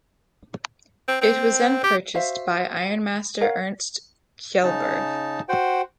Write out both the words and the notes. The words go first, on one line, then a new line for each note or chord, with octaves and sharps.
It was then purchased by Ironmaster Ernst Kjellberg.
C4
C4
G4
F#4 C5 E5 F5
A#4 C#5 F5 F#5
C#3 D#4 A5
F#4 C5 F#5 G5